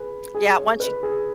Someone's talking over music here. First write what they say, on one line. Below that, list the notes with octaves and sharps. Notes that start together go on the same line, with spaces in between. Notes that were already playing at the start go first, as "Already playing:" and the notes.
yeah, once you
Already playing: G#4 B4
G#4
C#5
B4
G#4